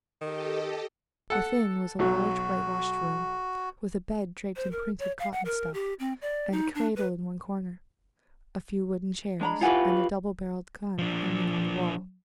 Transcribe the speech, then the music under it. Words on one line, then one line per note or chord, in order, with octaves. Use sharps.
Within was a large whitewashed room, with a bed draped in printed cotton stuff, and a cradle in one corner, a few wooden chairs, and a double-barrelled gun hanging on the wall.
D#3 G4 A4 D#5
A4 F#5
B1 F#3 F#4
C5
A#4
C#5
F5
F#5
A#4
G4
C4
D5
D#4
D4
B4
G#3 D4 A#5 B5
E4 F4 G4 B4 F#5 G#5
F3 D4